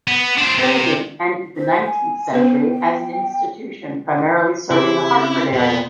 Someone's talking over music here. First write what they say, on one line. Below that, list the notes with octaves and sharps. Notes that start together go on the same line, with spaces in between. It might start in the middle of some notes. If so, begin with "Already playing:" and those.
Trinity ended the nineteenth century as an institution primarily serving the Hartford area.
B3
D4 C5
C3
C5
G#5
B3 B4 C5
G5
C#3 C4 E4 G4 D6
F2 B2 B3